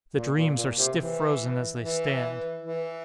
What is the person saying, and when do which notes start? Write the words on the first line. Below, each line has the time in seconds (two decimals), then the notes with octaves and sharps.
The dreams are stiff-frozen as they stand.
0.15 A#2
0.35 A#2
0.55 A#2
0.76 C3
0.97 E3
1.80 E3
2.62 E3